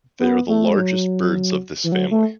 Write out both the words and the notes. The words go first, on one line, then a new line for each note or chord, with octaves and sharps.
They are the largest birds of this family.
B3
A3
G#3
F#3
E3
F#3
A3